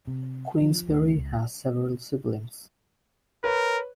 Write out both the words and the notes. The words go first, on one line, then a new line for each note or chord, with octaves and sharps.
Queensberry has several siblings.
C3
F3
D2
C#2
A#4 B4 C#5